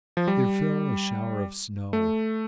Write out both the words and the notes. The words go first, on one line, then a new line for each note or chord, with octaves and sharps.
There fell a shower of snow.
F3
G3
A3